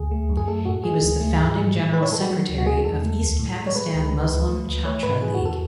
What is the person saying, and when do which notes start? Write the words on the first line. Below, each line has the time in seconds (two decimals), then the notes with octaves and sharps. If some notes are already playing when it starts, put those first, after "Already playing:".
He was the founding general secretary of East Pakistan Muslim Chhatra League.
Already playing: D2 G#4
0.11 A3
0.30 F#2
0.37 G#4
0.48 A3 A4
0.65 A2 F#4
0.84 G#3 G#4
1.02 D2
1.20 A3
1.39 G#2
1.57 G#3
1.75 A2
1.93 E3 B4
2.03 C#5
2.12 G#3 A4
2.20 F#4
2.30 F#3
2.49 D2
2.58 F#4
2.66 G#3 G#4
2.84 E2 A4
3.02 A3
3.21 D2
3.39 A2
3.57 G#3
3.67 C#5
3.76 G#3 B4
3.94 C#2
4.12 G#3
4.30 D2
4.49 A3
4.67 D2
4.84 A3 C#5
5.03 G#2 B4
5.22 E3 G#4
5.34 F#4
5.39 E2
5.45 A4